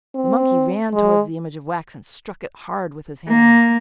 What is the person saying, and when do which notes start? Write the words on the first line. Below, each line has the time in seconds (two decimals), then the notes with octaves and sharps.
The monkey ran toward the image of wax and struck it hard with his hand.
0.15 C4
0.93 G#3
3.28 A#3